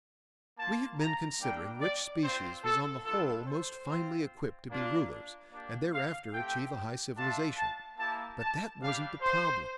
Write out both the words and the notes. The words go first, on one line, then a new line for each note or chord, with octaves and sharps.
We have been considering which species was on the whole most finely equipped to be rulers, and thereafter achieve a high civilization; but that wasn't the problem.
A#3 F4 A5
A#5
G3 A#3 D4 G5
D5
C4 F4 C5
A4
G3 D4 F4 A4
C5
C4 F4
A#3 D4 F4
A#3 D4 G4 D5
F5
A3 C4 G4 G5
A3 D4 F4 A5
A5
A#3 E4 G4 A5
A5
G3 D4 G4 F5
C5